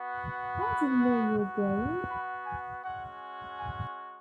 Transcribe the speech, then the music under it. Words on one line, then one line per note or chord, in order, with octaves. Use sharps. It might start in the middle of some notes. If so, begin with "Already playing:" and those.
I didn't know you were gone.
Already playing: B3 F#4
B4
B3 F#4
B4
G#5
G#3 C#4 F#4 F#5
G#5